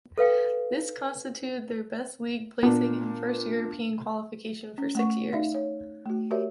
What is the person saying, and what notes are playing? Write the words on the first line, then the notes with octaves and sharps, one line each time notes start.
This constituted their best league placing and first European qualification for six years.
A4 B4 F5 G5
A#2 B3 D4
C#4
A3 F#5 C#6
D#4 D5 E5 F5
C#5
A3 F#4
F#4 G4 A#4 C#5 D5 E5